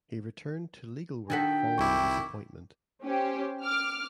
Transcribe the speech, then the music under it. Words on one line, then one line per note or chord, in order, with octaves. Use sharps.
He returned to legal work following this appointment.
D#3 D4 F#4 A4 G5 B6
C2 E4 C#6 D6
C#4 G4 C5
D6 F6